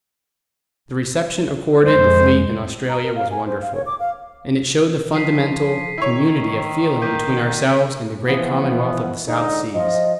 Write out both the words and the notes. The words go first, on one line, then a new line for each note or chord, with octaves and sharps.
The reception accorded the fleet in Australia was wonderful, and it showed the fundamental community of feeling between ourselves and the great commonwealth of the South Seas.
F2 G#3 C5
A#5
A#4
F5
G#5
C5
F5
C#5
D6
F5
F3 B6 C7 D#7
D#3 E4 C#5
A#3 G6 B6 D#7
E3 F3 B3
G#2 D3 D#4
F3 D#5